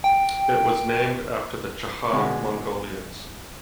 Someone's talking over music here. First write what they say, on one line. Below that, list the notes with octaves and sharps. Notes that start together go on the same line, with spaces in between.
It was named after the Chahar Mongolians.
G5
B2 D3 G#3